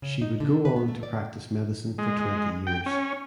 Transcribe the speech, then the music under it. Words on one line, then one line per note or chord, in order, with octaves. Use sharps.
She would go on to practice medicine for twenty years.
C#3
D#4
D3
B4
B3
A3
D5
G#3
G5
C#4